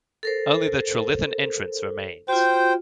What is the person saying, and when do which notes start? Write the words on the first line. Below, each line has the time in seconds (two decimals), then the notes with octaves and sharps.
Only the Trilithon Entrance remains.
0.23 A4 A#4 C5
2.28 F4 F#4 C5 G5